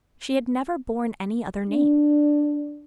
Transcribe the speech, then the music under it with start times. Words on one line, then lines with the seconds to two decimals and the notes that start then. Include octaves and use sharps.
She had never borne any other name.
1.69 D4